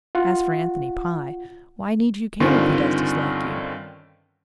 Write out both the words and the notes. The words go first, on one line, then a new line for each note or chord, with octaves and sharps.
As for Anthony Pye, why need you care if he does dislike you?
F4 F#5
G2 D3 D#3 C4 C#4 F4